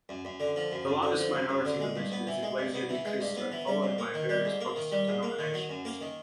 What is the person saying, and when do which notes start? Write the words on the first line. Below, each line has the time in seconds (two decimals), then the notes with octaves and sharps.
The largest minority religion is Iglesia Ni Cristo followed by various Protestant denominations.
0.09 F#2
0.25 F#2
0.40 D3
0.56 F3
0.72 F#2
0.87 F#2
1.03 D3
1.18 F3
1.34 F#2
1.49 F#2
1.65 D3
1.80 G#3
1.96 G2
2.12 B3
2.27 E3
2.43 G#3
2.58 G2
2.74 B3
2.89 E3
3.05 G#3
3.20 G2
3.36 B3
3.52 E3
3.67 G3
3.83 G#2
3.98 A#3
4.14 D#3
4.29 G3
4.45 G#2
4.61 A#3
4.76 D#3
4.92 G3
5.08 G#2
5.23 A#3
5.39 D#3
5.54 F#3
5.69 F#2
5.85 A#3
6.01 D#3